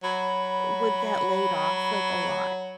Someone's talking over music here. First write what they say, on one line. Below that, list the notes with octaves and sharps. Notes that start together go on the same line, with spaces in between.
would get laid off, like, a lot,
F#3 B5